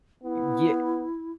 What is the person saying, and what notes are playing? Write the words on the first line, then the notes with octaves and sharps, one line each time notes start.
Y yeah Eh
B3 E4